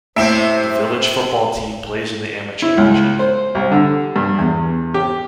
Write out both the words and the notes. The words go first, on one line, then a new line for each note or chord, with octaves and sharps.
The village football team plays in the amateur division.
A2 C3 C4 E4 C5 E5 D7 E7
E4
C#2
C5
C2
D3
G2
E2
G4